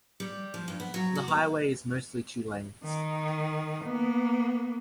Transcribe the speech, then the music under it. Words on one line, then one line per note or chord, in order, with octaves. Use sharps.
The highway is mostly two-lanes.
G3
F3
G2
B3
F#3
F#4
B3
D#3
A#3 B3